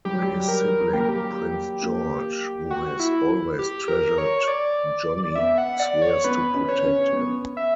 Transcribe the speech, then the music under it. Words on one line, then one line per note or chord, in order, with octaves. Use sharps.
His sibling, Prince George, who has always treasured Johnnie, swears to protect him.
G3 G4
F#3
G3
A#4
A#3 G4
A#4
G4
A#3
F#4
E4
G4
A#4
C#5
C#5
D5
B3 E5
F#5
D5
C#5
B3 B4
C#4
C#5
C#4
B3
E5